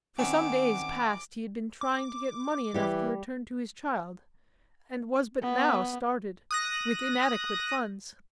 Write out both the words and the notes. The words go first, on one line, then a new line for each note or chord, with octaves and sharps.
For some days past he had been trying to get money enough to return to his child, and was but now started with inadequate funds.
D#3 C4 C#4 F#5 G#5 D6
D6
E3 G3 G4
B3
D#6 F#6 A#6